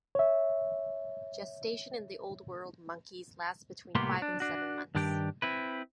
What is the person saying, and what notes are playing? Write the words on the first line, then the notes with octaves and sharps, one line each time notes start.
Gestation in the Old World monkeys lasts between five and seven months.
C#5 E5
C2 A2 A#3 B3 G4 C6
D4
D4 F#4
G2 D#3 D4 G4 G5
C4 E4 B4